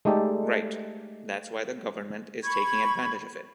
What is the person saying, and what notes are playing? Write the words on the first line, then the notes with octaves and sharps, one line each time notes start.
Right. That's why the government is taking advantange of it.
G#3 A3 D#4 G4 A4 D5
B5 C#6 G#6